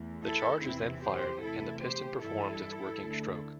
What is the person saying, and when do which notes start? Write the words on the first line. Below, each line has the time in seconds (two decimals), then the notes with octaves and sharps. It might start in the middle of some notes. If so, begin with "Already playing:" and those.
The charge is then fired and the piston performs its working stroke.
Already playing: E2 E3 A3
0.23 E4 A4
0.62 E2 C3 E3 C4 E4
1.02 G4 C5
1.41 E2 C3 A3 E4 A4
1.82 G4 C5
2.21 G2 E3 G3 E4 A4
3.01 D2 D3 A3